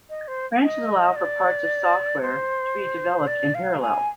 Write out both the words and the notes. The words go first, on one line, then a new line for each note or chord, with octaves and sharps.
Branches allow for parts of software to be developed in parallel.
D#5
C5
D#5
D5
C5
D5
F5
G#5